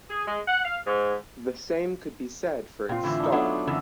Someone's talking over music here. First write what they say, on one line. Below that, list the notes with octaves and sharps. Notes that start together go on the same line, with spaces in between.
The same could be said for its star.
G#4
G#3
F#5
F5
G#2
A#2 C4 F4
A2 D3 E3
D4 D#4
F#3 A3 B3 D4 C#5
F#2 D3 E3